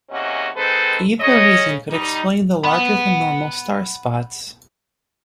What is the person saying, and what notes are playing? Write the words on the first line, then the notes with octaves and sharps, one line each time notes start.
Either reason could explain the larger than normal star spots.
E2 C3 A#3 C#4 F#4 D#5
D#3 G#3 C4 A4 B4 C5
C#3 C#5 D#5
G3 D#4
F#5 B5